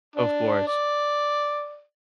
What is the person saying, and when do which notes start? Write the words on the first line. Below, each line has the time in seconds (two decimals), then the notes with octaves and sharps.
Of course.
0.16 D4
0.67 D5